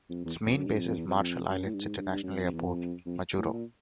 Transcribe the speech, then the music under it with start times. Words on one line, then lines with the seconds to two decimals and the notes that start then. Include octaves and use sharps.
Its main base is Marshall Islands International Airport, Majuro.
0.09 F2
0.25 E2
0.46 F2
0.56 F#2
0.67 G2
0.77 F2
0.88 F2
0.98 E2
1.08 F2
1.18 F2
1.49 F#2
1.65 A2
1.74 G2
1.81 G#2
1.97 G2
2.12 G2
2.23 F#2
2.33 F2
2.43 F2
2.53 E2
2.64 F2
3.06 F2
3.37 A2
3.53 A#2